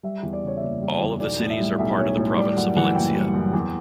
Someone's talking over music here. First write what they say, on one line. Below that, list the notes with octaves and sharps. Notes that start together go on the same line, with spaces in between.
All of the cities are part of the province of Valencia.
G3 E5
E2
D5
C#3 C#5
E5
F#1 D5
G3
E2
B1 D5
A2
E5
G3
B1 E5
B1 C#5
A2 C#5
G3 D5
F#2 F#5
E3 F#5
F#1 G5
G3
F#2
E2